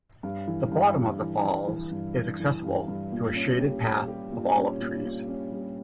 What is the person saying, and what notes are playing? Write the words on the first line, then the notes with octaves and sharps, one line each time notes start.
The bottom of the falls is accessible through a shaded path of olive trees.
G2
E3
G2
G2
E3
E3
E3
G2
E3
E3
G2
G2
A#2
C#4
G4
G3
G4
A#2
C#4
A#2
A#2
C#4
G3